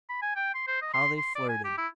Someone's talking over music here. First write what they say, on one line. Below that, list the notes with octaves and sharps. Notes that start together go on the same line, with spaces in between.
How they flirted!
B5
G#5
G5
C6
C5
D#5
C6
C6
D5
G#5
G4
E4